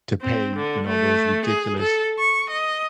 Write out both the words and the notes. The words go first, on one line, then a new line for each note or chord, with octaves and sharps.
to pay, you know, those ridiculous,
C4
D3
A3
G#4
A4
C#6
D#5